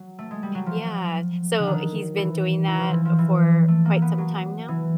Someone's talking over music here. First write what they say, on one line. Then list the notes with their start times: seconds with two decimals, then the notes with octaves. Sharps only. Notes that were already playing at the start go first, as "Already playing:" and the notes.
Yeah. So he's been doing that for quite some time now?
Already playing: F#3
0.19 A3
0.31 G#3
0.43 G3
0.55 F#3
0.66 F3
1.59 D3
1.67 D#3
2.17 E3
2.67 E3
2.80 F3
2.93 E3
3.05 F3
3.18 E3
3.68 A3
3.85 A#3
4.02 B3
4.18 F#3
4.68 E3